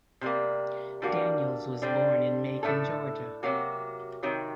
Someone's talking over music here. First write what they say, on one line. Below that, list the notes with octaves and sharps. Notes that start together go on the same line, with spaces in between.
Daniels was born in Macon, Georgia.
C3 G3 A#3
D3 G3 A#3 F#4
D3 G3 C4
A2 A3 D4 A4
C3 F#3 A#3 F#4
C3 D#3 F#3